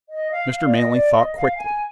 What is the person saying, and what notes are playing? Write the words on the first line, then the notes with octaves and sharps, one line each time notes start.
Mr. Manley thought quickly.
D#5
F5
F5
D5
D#5
D5
D#5
F5
G#5